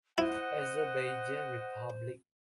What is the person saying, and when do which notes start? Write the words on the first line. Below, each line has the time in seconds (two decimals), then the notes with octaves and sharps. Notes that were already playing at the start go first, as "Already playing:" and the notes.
Azerbaijan Republic.
0.18 E4 C5 D#5 F#5